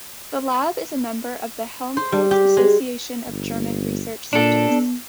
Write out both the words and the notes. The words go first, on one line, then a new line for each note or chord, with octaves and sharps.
The lab is a member of the Helmholtz Association of German Research Centres.
C5
G3
G4
G#3
G1
A#2 D4 A4
B3